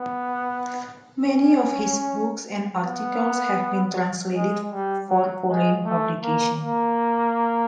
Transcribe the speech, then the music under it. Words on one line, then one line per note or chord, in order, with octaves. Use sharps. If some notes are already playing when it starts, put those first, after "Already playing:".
Many of his books and articles have been translated for foreign publication.
Already playing: B3
C#4
B3
G#3
G3
F#3
G#3
A3
A#3
A#3